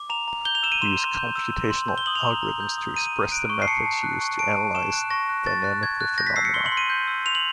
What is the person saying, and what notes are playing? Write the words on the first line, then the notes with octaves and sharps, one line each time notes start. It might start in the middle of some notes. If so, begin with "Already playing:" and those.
We use computational algorithms to express the methods used to analyze dynamical phenomena.
Already playing: D6
A#5 F7
A#5
G6 G7
F7
E6 E7
D#7
C6 E7
C6
G6
E6
C6
C6
G6
G7
D#6 F#7
F7
A#5
A#5
G6
D#6
A#5 D#7
A#5
F#6 D7
C#6
C7
A5 C#7
A5
F#6
C#6
A5 D7
A5
C#6 E7
F#6
C#6 A#6
F#6
C#6 A6
F#6
C#6 G#6
F#6
G6 A#6
B6
E6 C7
C#7
C6 G7
F#7
C6
D#7
G6
E6
C6 F7
F#7